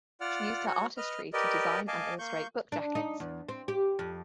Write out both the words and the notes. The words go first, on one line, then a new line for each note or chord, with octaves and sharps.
She used her artistry to design and illustrate book jackets.
F4 D5 F#5 F6
F#4 C#5
B4 D#5 F6
G4 A#4 B4 D5 D#5
D#5 F5 G#5 A5 D6
A#3 C#6 G6
D4
D#4
E2
C4
G4
F2